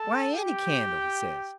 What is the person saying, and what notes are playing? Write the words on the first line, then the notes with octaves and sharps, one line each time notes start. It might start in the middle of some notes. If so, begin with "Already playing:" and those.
"Why, any candle," he says.
Already playing: A4 A5
G4 G5